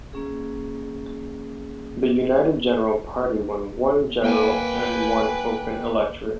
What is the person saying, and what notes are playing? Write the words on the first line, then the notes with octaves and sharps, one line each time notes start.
The United General Party won one "general" and one open electorate.
A#3 C#4 G#4
A#3 B4 G5 G#5